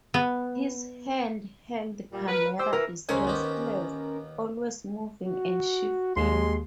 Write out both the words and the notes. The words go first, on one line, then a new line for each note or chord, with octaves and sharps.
His hand-held camera is restless, always moving and shifting.
B3
A#2 G3
A#4 B4
G4 C5 E6
E3 A#4
C#2 C#4 G#4 A#4 C5
D#2 B3 G4
F#4
D#2 G#3 C6